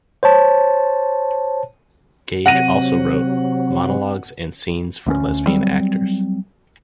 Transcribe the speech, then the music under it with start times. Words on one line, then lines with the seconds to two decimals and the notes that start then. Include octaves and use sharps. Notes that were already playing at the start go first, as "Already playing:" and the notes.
Gage also wrote "Monologues and Scenes for Lesbian Actors".
0.23 C5 C#5 A5
2.46 C3 F#3 C4 F#5 A#6 D#7
5.06 D2 A#3 C#4
5.47 F#3 G3 C4